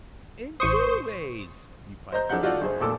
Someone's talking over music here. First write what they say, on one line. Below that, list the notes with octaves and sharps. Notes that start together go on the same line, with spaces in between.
"In two ways," replied the Idiot.
A1 C5 C#6 D#6
C5 D#5 A#5 G6
F3 D4 G#4 A4 F#5 G6
D#4 F4 F#4 A4 D5
G1 G#4 C5
F1 A#2 A4 D6 E6